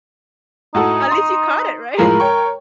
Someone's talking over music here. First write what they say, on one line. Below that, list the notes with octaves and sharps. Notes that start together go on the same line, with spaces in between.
At least you caught it. Right?
A2 D#4 F#4 A4
C6 D#6
A2 F3 G#3 A#4
C#5 G5 C#6